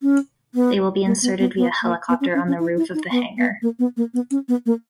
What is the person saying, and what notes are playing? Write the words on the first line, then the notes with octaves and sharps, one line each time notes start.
They will be inserted via helicopter on the roof of the hangar.
C#4
B3
A#3
B3
B3
B3
A#3
B3
C#4
C#4
C#4
E4
E4
D#4
B3
B3
A#3
B3
A#3
B3
C#4
B3
A#3